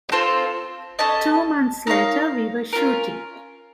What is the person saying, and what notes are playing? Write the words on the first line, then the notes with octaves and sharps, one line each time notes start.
Two months later, we were shooting.
C4 F4 A4 C5
C#4 A4 D#5 A5
D#4 A#4 C#5 F5
C#4 F4 A#4